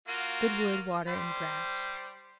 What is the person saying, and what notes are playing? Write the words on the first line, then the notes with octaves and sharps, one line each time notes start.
Good wood, water, and grass.
A#3 F4 F#4
G3 C5